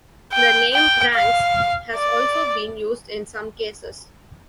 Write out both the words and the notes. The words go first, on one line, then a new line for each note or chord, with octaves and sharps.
The name "Ranx" has also been used in some cases.
G5
G5
F5
D5